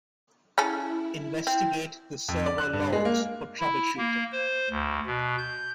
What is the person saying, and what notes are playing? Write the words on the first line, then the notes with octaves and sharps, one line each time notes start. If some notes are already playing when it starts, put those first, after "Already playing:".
Investigate the server logs for troubleshooting.
C#3 C#4 E4 A4
C4
F2
D5
F#6
G2
G#3
A#3
E4
A#3
C5
D2
B2
G6